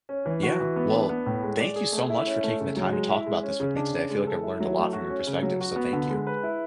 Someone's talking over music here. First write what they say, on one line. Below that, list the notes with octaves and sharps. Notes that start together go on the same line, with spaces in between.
Yeah. Well, thank you so much for taking the time to talk about this with me today, I feel like I've learned a lot from your perspective, so thank you.
C#4
E3
F#4
E3
B3
D4
B3
A2
G#3
D5
G#4
A3
E4
C#4
A3
C#3
F#3
G#3
E4
G#3
C#4
C#3
D4
C#3
G#3
A4
E4
F#3
A3
F#4
C#4
C#3
F#3
F#4
B3
D3
G#3
B4
E4